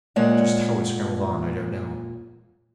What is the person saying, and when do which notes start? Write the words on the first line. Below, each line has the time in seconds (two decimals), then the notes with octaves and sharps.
Just how we scrambled on I don't know.
0.16 A#2 G#3 C#5 D5 F#5